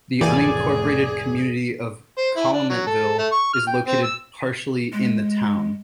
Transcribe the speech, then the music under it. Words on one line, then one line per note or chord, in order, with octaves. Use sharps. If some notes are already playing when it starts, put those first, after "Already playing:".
The unincorporated community of Calumetville is located partially in the town.
F1 A2 E3 A#3 G4 G#4 D5 G#5
C5
E4
D4
F#3
A4
A3
C#6
F6
G5
C4
E6
G#3